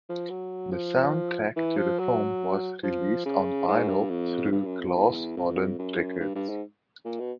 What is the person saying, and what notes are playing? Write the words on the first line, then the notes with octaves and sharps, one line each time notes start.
The soundtrack to the film was released on vinyl through Glass Modern Records.
F3
F#3
F3
E3
F3
F#3
F3
C#3
G#2
G2
F2
G2
F#2
F2
E2
F2
F#2
G2
G2
G#2
A#2
B2